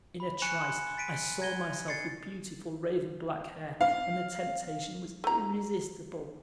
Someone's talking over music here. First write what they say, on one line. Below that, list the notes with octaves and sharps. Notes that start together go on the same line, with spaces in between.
In a trice I saw myself with beautiful raven-black hair and the temptation was irresistible.
B5
G#5 C#6 F#6 C#7 E7
C6
A6 B6 D7 D#7
G#6 A#6 D#7 G7
A6 C7 C#7
F5
A3 A#5